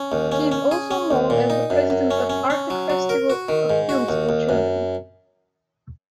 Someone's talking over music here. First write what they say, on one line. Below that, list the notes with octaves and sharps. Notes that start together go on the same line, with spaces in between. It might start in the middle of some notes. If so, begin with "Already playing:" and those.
He is also known as the President of Artek Festival of Films for Children.
Already playing: C#4
D#2
C#4
C#4
G#4
C#4
D#2
A#2
D#4
F#2
F#2
C#4
C#4
C#4
F#3
F#3
A#4
F#4
D#3
G#2
F#4
D#2
D#2
F#2